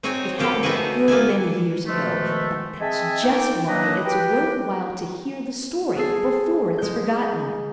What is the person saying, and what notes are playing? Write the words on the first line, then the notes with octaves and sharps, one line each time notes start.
It happened a good many years ago, but that's just why it's worth while to hear the story before it is forgotten.
C4 D#4 F#4 C#5 G#5
A#3 F4 G4 A4
A3 B3 D#4 F#4 G#4 B4
A#3 B3 E4 G#5
B2 D#3 F3 G#3 A3
G#3 C4 D#5 E5 G#5 A5
A#3 D#4 G5
E3 F#3 A#3 D4 B4 D#5
G4 B4 G5
B3 G#4 A4 C7
G#3 G6